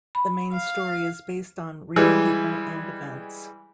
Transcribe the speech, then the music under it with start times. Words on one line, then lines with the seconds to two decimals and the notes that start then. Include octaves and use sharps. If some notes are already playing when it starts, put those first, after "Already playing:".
The main story is based on real people and events.
0.15 B5
0.53 F5
1.96 E3 G3 G#3